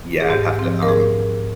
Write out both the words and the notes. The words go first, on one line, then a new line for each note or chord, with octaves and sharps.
yeah, I'd have to, um,
G#4
G#2 G4
F3 C4
A#4
G#2 G#4